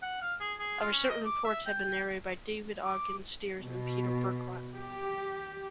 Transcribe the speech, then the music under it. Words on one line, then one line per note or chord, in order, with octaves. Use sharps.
However, certain reports have been narrated by David Ogden Stiers and Peter Berkrot.
F#5
F5
G#4
G#4
F4
C#4
D#5
D6
E5
G5
D6
B2
G4